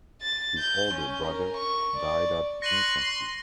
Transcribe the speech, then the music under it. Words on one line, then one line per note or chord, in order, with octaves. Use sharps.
His older brother died at infancy.
A6
G6
C#4
A#4
C#6
D5
B4 C6 C#6 A#6 D#7 F#7
C6